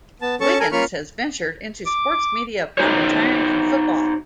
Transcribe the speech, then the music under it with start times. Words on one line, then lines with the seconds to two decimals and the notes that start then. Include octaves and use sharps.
Wiggins has ventured into sports media upon retiring from football.
0.22 B3 A5
0.40 C#4 A4 A5 C#6
0.60 A4 A#4 G#5
0.72 A#3 C#4 F4 B5 C#6 F6
1.86 D6
2.78 D#4 E4 F#4 C5 C#5